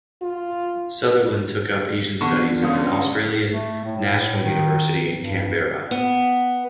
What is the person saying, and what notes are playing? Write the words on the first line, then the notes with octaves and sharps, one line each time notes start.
Sutherland took up Asian studies at the Australian National University in Canberra.
F4
E2 D3 C#6
G#3 C#4 F4 D#6
A3
A2
A2
D#3
G2
B3